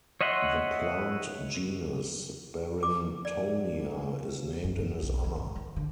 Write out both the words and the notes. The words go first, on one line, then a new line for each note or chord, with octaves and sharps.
The plant genus "Barringtonia" is named in his honour.
C#5 D#5 E5 F#5 C6
D6
D5
F#2
C#3
B1
D#3
G#2
D#3
D3